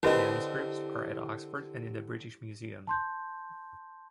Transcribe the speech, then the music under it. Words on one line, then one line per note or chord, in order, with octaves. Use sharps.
Manuscripts are at Oxford and in the British Museum.
D3 C4 E4 G4 A#4 B4 D#5
A5 C6 G6